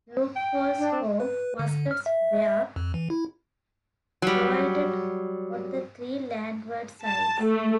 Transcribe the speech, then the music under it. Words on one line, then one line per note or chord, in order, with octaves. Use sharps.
Loopholes for muskets were provided on the three landward sides.
G5
D4
C4
B4
D3
F6
E5
F2
E3
E4
F#3 G3
A5
A3